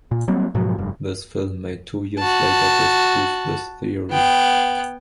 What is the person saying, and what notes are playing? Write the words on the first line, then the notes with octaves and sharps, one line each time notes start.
This film made two years later disproved this theory.
A#2
F#3 G3 A#3 C4
G#2 B2 F3 F#3
F1 G2
F#4 A5
B3 G5